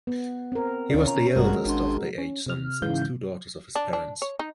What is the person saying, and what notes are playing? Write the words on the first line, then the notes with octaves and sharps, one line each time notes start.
He was the eldest of the eight sons and two daughters of his parents.
B3
C4 A#4
D2 C#4 F4 D5
A#5
A1 G2 G3 G#3 F#4 A#4
G#1 D4 C6
C#4
C3 F6
G#2 C#3 E3 F5 G6
D4
D4
C#5
D#4